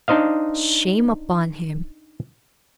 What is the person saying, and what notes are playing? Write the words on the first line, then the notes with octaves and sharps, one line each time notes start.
Shame upon him!
D4 D#4 C5 D#5 F5